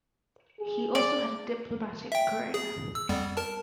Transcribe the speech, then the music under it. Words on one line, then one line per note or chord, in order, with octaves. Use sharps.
He also had a diplomatic career.
G#4
D5
E5 G5
G#4
E6
F2 G3 B3
A#4 A5